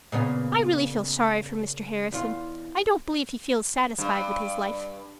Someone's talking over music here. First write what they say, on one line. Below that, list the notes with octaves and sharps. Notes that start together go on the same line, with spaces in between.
I really feel sorry for Mr. Harrison; I don't believe he feels satisfied with his life.
A#2 C#3 B3
E2 F4
G2